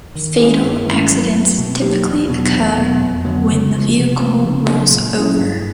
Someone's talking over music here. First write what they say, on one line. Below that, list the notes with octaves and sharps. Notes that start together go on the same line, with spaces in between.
Fatal accidents typically occur when the vehicle rolls over.
D#3
G#3 C#4 E4 G#4
G2
D#3 G#3 C#4 E4
F#3
A3 C4
B2
F#3 A#3 D#4 G4
E2
B2 F#3 B3
E2
B2 F#3 B3
F2
D3 F#3 B3
C#3
F3 G#3
C3
F3 A3 C4
C#3
F#3 A#3 D4
A#2
F#3 A#3 C#4 E4
G2